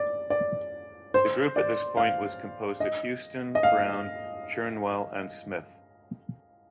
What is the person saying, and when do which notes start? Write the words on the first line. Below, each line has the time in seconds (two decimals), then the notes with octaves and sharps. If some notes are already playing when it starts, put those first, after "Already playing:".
The group at this point was composed of Houston, Brown, Shernwell and Smith.
Already playing: D5
0.30 D5
1.14 C5
1.56 D5
1.97 F5
2.80 D#5
3.55 D#5
3.63 F5